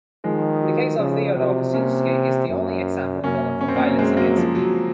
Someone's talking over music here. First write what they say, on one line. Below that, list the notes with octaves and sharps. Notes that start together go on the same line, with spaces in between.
The case of Theodore Kaczynski is the only example known for violence against people.
D#3 F3 G#3
F#3
C#3 F3
C3 F#3
A#3 C#4
F#2
F#2 A#3 C#4
C#4
C4
A#3 C#4
G#3 C4
F#3 A#3
F3
F#3